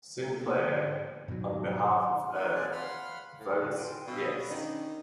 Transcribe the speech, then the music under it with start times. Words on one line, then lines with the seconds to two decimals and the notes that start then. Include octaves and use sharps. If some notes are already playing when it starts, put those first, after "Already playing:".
Sinclair, on behalf of Earth, votes "Yes".
0.20 A#3 B3 G4 A4
0.55 G#2 D3
1.28 G#2 B2 D#3 F#3
2.34 A#3 D#4 F4 B4 C#5
2.55 C4 G#4 D5 G#5 A5
2.72 F5 F#5 B5 C6 F6
3.40 A2
3.62 D3 F#4 B4
3.79 G5 G#5 C6
4.08 B2 F5 D#6 E6
4.51 D#3 C#4 D4